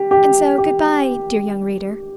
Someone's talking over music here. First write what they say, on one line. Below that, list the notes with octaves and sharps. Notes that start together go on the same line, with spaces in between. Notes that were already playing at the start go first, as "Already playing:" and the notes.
And so good-bye, dear young reader!
Already playing: G4
G4
G4